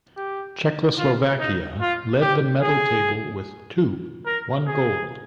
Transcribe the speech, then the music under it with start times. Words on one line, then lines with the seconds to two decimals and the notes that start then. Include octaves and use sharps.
Czechoslovakia led the medal table with two, one gold.
0.17 G4
0.98 F4
1.39 D#4
1.80 F4
2.21 G4
2.62 G#4
4.26 A#4
4.66 G#4